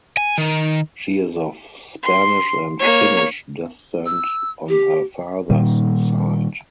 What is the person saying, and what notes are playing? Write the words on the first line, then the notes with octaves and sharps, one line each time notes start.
She is of Spanish and Finnish descent on her father's side.
G#5
D#3
C6
A#3 C#5
E6
G4
A#2 D#3 G3